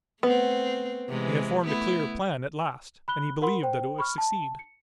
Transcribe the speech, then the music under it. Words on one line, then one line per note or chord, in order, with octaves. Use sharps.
He had formed a clear plan at last, and he believed that it would succeed.
A3 B3 C4
C3 E3 G#3
A3 B3 E4
B5 F#6 G7
A#4 F#5 B5 C6
C5 G5
B5 C#6 F6
A5
C#7